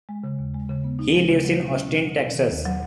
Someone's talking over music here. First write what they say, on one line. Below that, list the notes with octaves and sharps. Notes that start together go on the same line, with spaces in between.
He lives in Austin, Texas.
G#3
C#3
D#2
G#3
C#3
B3
D#4
G#3
C#3
F#3
B2
C#4
B2
F#3
B2
D#3
D#2
F#3